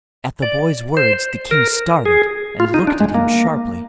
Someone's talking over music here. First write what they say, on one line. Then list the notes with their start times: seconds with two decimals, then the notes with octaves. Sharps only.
At the boy's words the king started and looked at him sharply.
0.42 D5
0.97 C5
1.51 A#4
2.05 G#4
2.60 F4
2.74 D#4
2.87 D4
3.00 G#3
3.14 A#3